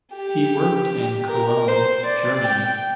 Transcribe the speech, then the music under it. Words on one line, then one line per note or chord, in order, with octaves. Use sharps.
He worked in Cologne, Germany.
G4
A#4
C5
D5
G5